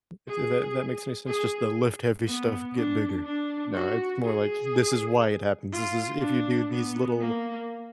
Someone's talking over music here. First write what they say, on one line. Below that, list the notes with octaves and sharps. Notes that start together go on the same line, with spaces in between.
If th that, that makes any sense, just the "Lift heavy stuff, get bigger." No, it's more, like, "This is why it happens; this is if you do these little
G#4
G#4
B3
D4
D4
F#4
G#4
F4
D4
B3
A#3